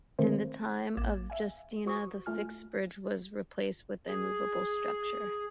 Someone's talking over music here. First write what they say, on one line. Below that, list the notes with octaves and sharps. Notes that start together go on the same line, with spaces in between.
In the time of Justinian the fixed bridge was replaced with a movable structure.
D3 D#3 A3 C4 A#4 C5
A1 A#3 D6 G#6 A6 E7
E5 F5 G#5
F#4 C5 C#6 D#6
A3 F4 G#5 F6
G#4